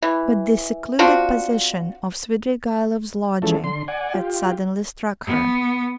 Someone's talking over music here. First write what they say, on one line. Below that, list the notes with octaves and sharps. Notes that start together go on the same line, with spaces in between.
But the secluded position of Svidrigailov's lodging had suddenly struck her.
E3
C4 D4 F4 F#4
E3 F3 G#3 C#4 A4
D3 C6
D5 F#5 G#5
F4 G4
B3